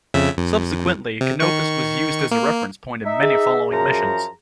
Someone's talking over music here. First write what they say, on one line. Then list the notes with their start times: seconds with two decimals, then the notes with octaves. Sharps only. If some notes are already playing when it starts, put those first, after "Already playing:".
Subsequently, Canopus was used as a reference point in many following missions.
0.14 F2 C#3 E5
0.37 F2
1.21 C3
1.40 D#3 C#6
2.31 A#3
3.05 D#4 E5
3.23 G#4
3.71 F#2 F3 A#5